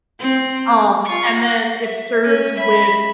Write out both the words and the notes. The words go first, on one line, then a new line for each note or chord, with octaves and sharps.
Um, and then, it's served with
C4
F4 C#6
F#5
E5
C#4
E5 B5